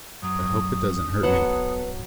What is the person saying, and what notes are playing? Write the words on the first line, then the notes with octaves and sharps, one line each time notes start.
I hope it doesn’t hurt me.
F#2 F#3 D#6
F#3 B3 A4 B4 F#5 A5